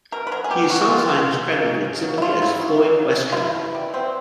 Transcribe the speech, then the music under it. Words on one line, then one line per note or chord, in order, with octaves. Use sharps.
He is sometimes credited simply as Floyd Westerman.
B2 A#4
B4
F#3 A#4
G#4
B3 G4
B2 F#4
B3 F4
C#3
A#3
A#3
C#3
C#3
F#3
E4
C#3 F4
F#3 E4
C#3
C#3
F#3
C#3
F4
B2 E4
B2
G3
B3 C4